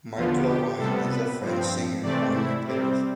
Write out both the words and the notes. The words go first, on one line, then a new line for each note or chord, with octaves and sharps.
Marc Lavoine is a French singer born near Paris.
E2 D3 F3 B3 F4
G4
C3 G3 B3 A4
B4
G2 F3 C4
C3 E3 A3 C4 D5
E4
C3 G3 C4